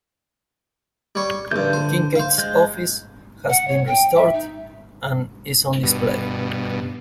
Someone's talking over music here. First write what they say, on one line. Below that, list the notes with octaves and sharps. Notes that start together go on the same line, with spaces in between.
Kinkaid's office has been restored and is on display.
G3 C#5
A#1 G2 D3 G6
C5
C5 F5
G#3 G6
F#5
C#5
G5
E5
D#4
G2 B2